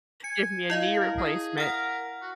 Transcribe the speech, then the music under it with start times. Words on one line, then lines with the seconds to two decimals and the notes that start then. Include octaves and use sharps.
give me a knee replacement."
0.24 G#5 C#7
0.70 E4 D#5 F5
1.00 A#4
1.18 G#4
1.58 A#4 F#5 F6
2.22 F#4